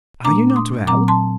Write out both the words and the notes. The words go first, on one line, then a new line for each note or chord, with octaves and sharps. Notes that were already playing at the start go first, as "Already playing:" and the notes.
Are you not well?
A#2 A3 D4 A#5 D6
D6
C6 D#6
A#2 F#3 C4 A#5 D6
A5 C6